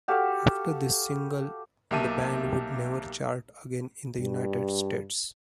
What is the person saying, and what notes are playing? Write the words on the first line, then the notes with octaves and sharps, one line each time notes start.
After this single, the band would never chart again in the United States.
F#4 G4 A4 F5
B1 A#3 G4 E5 A5 D#7
G2